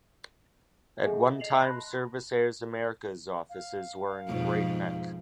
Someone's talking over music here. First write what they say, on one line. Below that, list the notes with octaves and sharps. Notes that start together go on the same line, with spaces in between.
At one time Servisair's Americas offices were in Great Neck.
G#4 A4 D#5 E5 F#5 G#5
E5
D#5 C7 F7 F#7
A5 B5 C6 F#6 A#6
F5
F2 G#2 B2